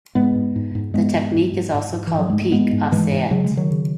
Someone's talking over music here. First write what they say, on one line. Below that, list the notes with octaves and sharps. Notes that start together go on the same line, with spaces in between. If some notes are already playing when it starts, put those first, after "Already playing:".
The technique is also called pique assiette.
G#2 G#3 B3
G#2
G#2
G#2
G#2 G#3 B3
G#2
G#2
G#2
G#2
G#2
E3
G#2 F#3
G#2 G#3
A3
G#2 G#3 B3
G#2
G#2 E3 G#3
G#2
C#3 F#3
G#3
C#3
D#3 F#3
C#3